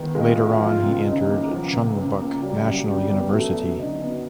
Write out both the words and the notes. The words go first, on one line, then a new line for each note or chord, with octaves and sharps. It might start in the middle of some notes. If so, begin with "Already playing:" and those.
Later on, he entered Chungbuk National University.
Already playing: D#3 G#3 B3 E4
G#3 F4
E4
F3 F4
C#2
C#3 D#4
A#3
F3 B3
C#2
C#3
A#3
F#3 G3
F#2
D3 G3
B3
F#3 A3
F#2
D3 D#4
B3